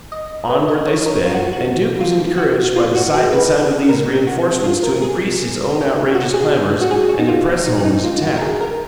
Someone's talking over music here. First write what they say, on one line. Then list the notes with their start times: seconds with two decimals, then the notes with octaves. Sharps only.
Onward they sped, and Duke was encouraged by the sight and sound of these reenforcements to increase his own outrageous clamours and to press home his attack.
0.12 D#5
0.49 B4
0.68 D#5
0.87 C#5
1.06 A#4
1.25 F4
1.34 F#4
1.53 F#4
2.00 F4
2.38 F#4
2.76 F4
2.95 F#4
3.13 G#4
3.33 B4
3.51 B4
3.89 A#4
4.27 F#4
4.64 F4
4.83 A#4
5.02 G#4
6.15 F#4
6.34 G#4
6.81 F#4
6.91 G#4
7.09 F#4
7.19 D#4
7.28 F4
7.66 D#4
7.85 D#4
8.03 F4
8.22 F#4
8.36 A#4
8.41 G#4
8.60 A#4